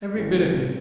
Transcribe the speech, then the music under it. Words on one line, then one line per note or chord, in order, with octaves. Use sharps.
Every bit of him.
A1 G3 A3 C4